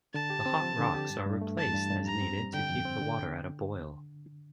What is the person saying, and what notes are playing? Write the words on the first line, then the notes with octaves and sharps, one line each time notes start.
The hot rocks are replaced as needed to keep the water at a boil.
D3 A5
G4
C4
F3
D3
G4
G2
G2
A3
E3 A5
G2
G2
F2 A#5
C4
G3
D3 G5
F2
C4
D3